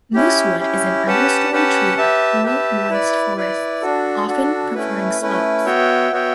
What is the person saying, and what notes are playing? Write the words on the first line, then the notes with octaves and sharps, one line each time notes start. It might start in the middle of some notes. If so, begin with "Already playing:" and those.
Moosewood is an understory tree of cool, moist forests, often preferring slopes.
C#4 E4 G4
C#4 E4 G4
C#4 G4 B4 F#5 A5
C#4 G4 B4 F#5 A5
G4 B4 E5 A5
G4 B4 E5 A5
E4 B4 D5
E4 B4 D5
D4 F#4 A4
D4 F#4 A4
A3 C#4 E4 B4
A3 C#4 E4 B4
B3 F#4 C#5 E5 G5
B3 F#4 C#5 E5 G5